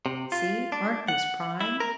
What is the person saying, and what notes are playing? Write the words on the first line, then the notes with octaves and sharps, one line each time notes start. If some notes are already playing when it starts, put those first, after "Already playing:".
"See--aren't these prime!"
C3
F4
D4
F#5
E4
A#4